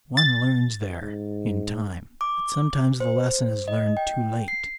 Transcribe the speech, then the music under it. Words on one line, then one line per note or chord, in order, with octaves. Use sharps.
One learns there--in time--but sometimes the lesson is learned too late.
A6
G#2
D6
C5
D#5
G5
C7